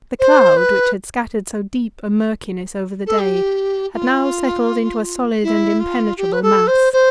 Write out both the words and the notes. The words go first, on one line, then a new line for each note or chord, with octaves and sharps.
THE cloud, which had scattered so deep a murkiness over the day, had now settled into a solid and impenetrable mass.
C5
B4
A4
G4
F4
E4
F4
G4
B4
A4
C5
C5